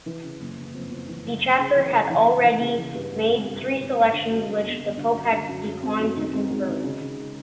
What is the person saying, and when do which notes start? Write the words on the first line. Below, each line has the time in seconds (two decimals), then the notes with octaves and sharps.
The chapter had already made three selections which the pope had declined to confirm.
0.06 E3
0.24 C#3
0.40 F#1
0.58 F#1
0.74 F2
0.91 F2
1.08 E3
1.25 F#1
1.42 F#1
1.58 C#3
1.76 E3
1.93 C#3
2.10 E3
2.26 E3
2.44 E3
2.60 C#3
2.78 E3
2.94 G2
3.12 G2
3.29 G#1
3.45 G2
3.62 G#1
3.79 G#1
3.96 G2
4.13 D3
4.30 F#2
4.46 F#2
4.64 G1
4.81 G1
4.97 D3
5.14 F#2
5.32 D3
5.48 F#2
5.66 F#2
5.83 C4
5.99 F#2
6.17 D#3
6.33 C4
6.51 G#3
6.67 D#3
6.84 C#3
7.01 C#3